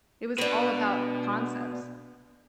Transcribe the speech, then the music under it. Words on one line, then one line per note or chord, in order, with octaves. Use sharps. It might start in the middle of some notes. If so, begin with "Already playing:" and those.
It was all about concepts
B2 D4 B4